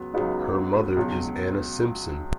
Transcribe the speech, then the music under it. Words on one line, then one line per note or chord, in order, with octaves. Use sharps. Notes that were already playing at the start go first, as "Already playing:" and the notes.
Her mother is Anna Simpson.
Already playing: C#2 F#3 B3
C#2 C#3 F#3 B3 D#4
C#2 B2 F#3